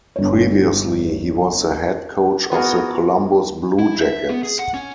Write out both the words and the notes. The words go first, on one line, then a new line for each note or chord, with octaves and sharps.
Previously, he was the head coach of the Columbus Blue Jackets.
G1 C#5
B3 F#4 G#4 A#4
E4
E5
B3
G#4
F#5
C#4